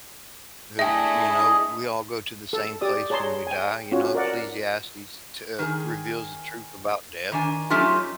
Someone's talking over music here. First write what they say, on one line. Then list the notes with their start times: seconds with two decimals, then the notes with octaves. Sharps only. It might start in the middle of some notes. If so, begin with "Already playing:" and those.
uh, you know, we we all go to the same place when we die you know, Ecclesiastes, t uh, reveals the truth about death,
0.79 A3 D4 E4 G#4 D#5 E5 G5
2.53 A4
2.81 G4 D5 D#6
3.10 G#4 C#5 A5 A#5 C6
3.47 G5 G#5
3.92 C#4 F4 F#4 C#5
4.15 A#4 D5 F#5
5.59 D#3 G#4
7.32 D#3 D4 G#5
7.70 F#3 A3 C#4 D#4 F4 G4